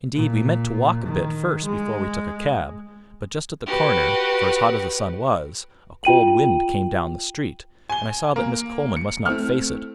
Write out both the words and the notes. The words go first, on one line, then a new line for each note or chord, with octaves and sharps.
Indeed we meant to walk a bit first before we took a cab, but just at the corner, for as hot as the sun was, a cold wind came down the street, and I saw that Miss Coleman must not face it.
A#2
D#3
G#3
F#4 G4 B4
F4 G5 D#7 F#7
G#5 G7
A#3
C#7
A3 C4 E4 F6